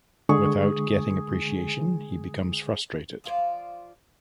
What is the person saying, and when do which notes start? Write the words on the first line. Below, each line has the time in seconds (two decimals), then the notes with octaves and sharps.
Without getting appreciation he becomes frustrated.
0.29 D3 G#3 G#4 C#6
3.24 F3 F4 C5 D5